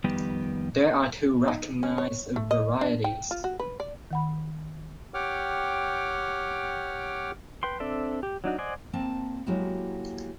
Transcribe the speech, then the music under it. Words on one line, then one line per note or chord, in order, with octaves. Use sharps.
There are two recognised varieties.
F2 D#3 G3 B3 G4
D#4
C#4
C#5
A3
D#5
D4
G5
F4
F#4
B4
D5
D#3 F#5 B5
G4 C#5 F#5 G5 D6 F6
B4 G5 C6
C4 D4 A4 D5 E5
G4
F#3 D4 D#4 F#4
C5 D5 D#5 F#5 G#5
A#3 C4 A5 A#5
F#3 G#3 A#3 E4 F#4 G4